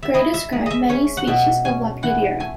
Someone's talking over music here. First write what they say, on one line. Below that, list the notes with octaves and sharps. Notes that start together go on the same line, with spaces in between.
Gray described many species of Lepidoptera.
E5
E4 D#5
E5
G#3
D#5 E5
C#4 C#5
F#5
B2 E5
C#4 G#5
E3 F#5
A3 G#5